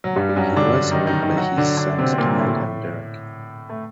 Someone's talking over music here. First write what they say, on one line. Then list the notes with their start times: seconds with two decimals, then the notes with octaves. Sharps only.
He was survived by his sons Donald and Derek.
0.04 F#3
0.16 G2 G3
0.29 G3
0.36 F#2 F#3
0.57 D3 D4
0.91 D#3 D#4
1.07 D#3 D#4
1.22 D#3 D#4
1.37 F#3 F#4
1.57 D3 D4
1.77 D3 D4
1.99 C3 C4
2.13 C4
2.18 A#2 A#3
2.38 A2 A3
3.70 A3